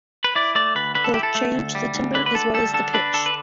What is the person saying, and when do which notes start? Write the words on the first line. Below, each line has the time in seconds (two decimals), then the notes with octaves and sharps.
Both change the timbre as well as the pitch.
0.24 B4
0.35 E4 D5
0.55 A3 D5
0.75 D2 B4
0.95 D3 B4
1.04 A4
1.14 E4 G4
1.23 A4
1.35 A3
1.55 D2
1.75 G3
1.95 D2
2.14 D3 B4
2.26 B4
2.34 D2 A4
2.54 G3 A4
2.74 D3 A4
2.94 D4 B4
3.14 D3 A4
3.26 B4